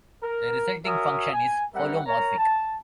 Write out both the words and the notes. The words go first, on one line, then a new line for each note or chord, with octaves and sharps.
The resulting function is holomorphic.
A#4
F#4 A#4 C#5 E5 G#5 D#6
G#5
G3 C4 A#4 E5 F#5
A#4 C#5 A#5
A5